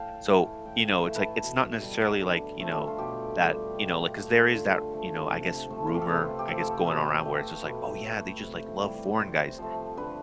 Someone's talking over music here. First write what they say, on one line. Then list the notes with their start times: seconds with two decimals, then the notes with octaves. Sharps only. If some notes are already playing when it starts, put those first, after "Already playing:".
so, you know, it's like it's not necessarily, like, you know, that, you know, like 'cause there is that, you know, I guess, rumor, I guess, going around where it's just like, "Oh, yeah. They just, like, love foreign guys."
Already playing: A2 F5 G5 A5
0.27 E3 A3
0.65 A2 G5
0.85 F5
1.04 E3 A3 E5
1.16 B4
1.24 A4
1.43 B2
1.82 G3
2.21 D3
2.60 F3 A3
2.87 F4
2.98 B2 G4
3.38 G3
3.76 B2
4.15 A3
4.54 D3 F4
4.93 F3 A3
5.31 C3 A4
5.70 F3 A3
5.87 F4
5.94 G4
6.02 A4
6.09 C3 B4
6.39 G4
6.47 F3 A3 A4
6.86 B2 B4
7.25 A3
7.64 B2 B4
8.03 A3
8.42 C3
8.81 E3 G3
9.19 C3 C5
9.58 F3 A3
9.97 D3 B4